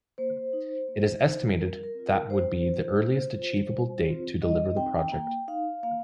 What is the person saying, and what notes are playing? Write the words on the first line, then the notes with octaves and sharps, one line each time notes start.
It is estimated that would be the earliest achievable date to deliver the project.
A#3 C5
D#4
A#3
D#4
G3 A#4
A#4
C4 F4
A#4
G3 C5
C4 F4
A#3
F4
G3
C4 F4
G3 D#5
C4 D#4 G5
A#3 G5
D#4 F5
A#3 F5